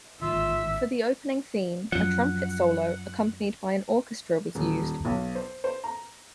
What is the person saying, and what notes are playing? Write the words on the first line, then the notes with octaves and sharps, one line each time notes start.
For the opening theme, a trumpet solo accompanied by an orchestra was used.
A1 G#2 D#3 F4 E5 E6
F#2 F3 F#5
D#1
B1
C5
C5
A#5